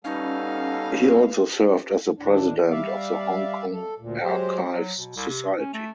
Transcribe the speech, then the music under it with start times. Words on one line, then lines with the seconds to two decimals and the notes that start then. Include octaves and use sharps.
He also served as the president of the Hong Kong Archives Society.
0.05 G3 B3 C#4 D#4 A4 F5
2.17 D#2 A2 D4
2.70 G3 D5 E5 F5
3.72 A4
3.99 D2 A#2
4.23 F#3 G#3 G4 C5
4.73 F#3
4.98 B2
5.16 C2
5.28 C3
5.59 C#4
5.74 A3